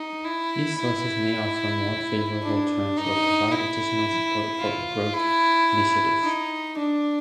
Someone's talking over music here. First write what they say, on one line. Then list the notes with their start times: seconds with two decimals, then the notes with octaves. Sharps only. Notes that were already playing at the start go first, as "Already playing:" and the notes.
These sources may offer more favorable terms or provide additional support for growth initiatives.
Already playing: D#4
0.24 E4
0.79 E4
2.42 D4
2.97 D#4
3.51 E4
4.60 F4
5.14 E4
6.23 D#4
6.77 D4